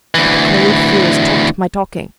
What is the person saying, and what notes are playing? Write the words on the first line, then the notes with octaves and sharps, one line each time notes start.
But cold fear stopped my talking.
D2 E3